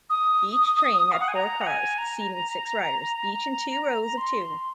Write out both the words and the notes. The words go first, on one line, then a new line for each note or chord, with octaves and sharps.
Each train had four cars seating six riders each in two rows of two.
D#6
F5
F#5
G#5
A#5
F#5
G#5
A#5
C6